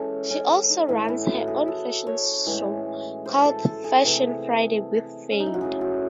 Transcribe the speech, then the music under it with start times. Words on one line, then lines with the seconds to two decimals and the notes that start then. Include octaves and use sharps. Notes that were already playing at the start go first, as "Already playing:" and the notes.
She also runs her own fashion show called Fashion Friday with Fade.
Already playing: E3 G#3 C#4 A4
0.30 C#4
0.49 C#4
0.70 D#4
0.88 A2 E3 A3 E4
1.08 E4
1.28 F#4
1.47 G#4
1.68 A4
2.07 C#5
2.46 A2 E3 G#3
3.26 C5
3.45 A4
3.65 A4
3.84 G#4
4.04 C3 E3 A3
5.32 C#4
5.40 D#4
5.46 E4
5.54 F#4
5.61 C#3 F#3 A3 G#4
5.81 F#4